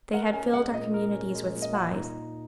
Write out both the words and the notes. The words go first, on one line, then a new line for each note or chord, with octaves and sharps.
They had filled our communities with spies.
A#4 F#5
C#4 G#5
G#3 F#5
A#2 D#5
A#4
C#4
G#3
A#2
D#5
A#2 F#5
D#4